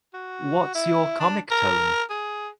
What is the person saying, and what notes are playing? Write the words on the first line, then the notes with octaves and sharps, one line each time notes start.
What's your comic tone?
F#4
E4
D4
A#4
G#4